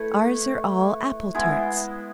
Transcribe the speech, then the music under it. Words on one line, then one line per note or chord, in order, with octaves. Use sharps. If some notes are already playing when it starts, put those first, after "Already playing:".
Ours are all apple-tarts.
Already playing: A3 E4 B4
G#3 B3 E4